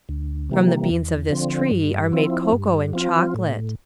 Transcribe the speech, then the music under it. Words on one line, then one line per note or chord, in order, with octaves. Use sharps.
From the beans of this tree are made cocoa and chocolate.
D2
C3 E3 G3 A#3
E2
D3 F3 C4
G2
F3 C4 E4
G2
F3 C4 F4
A2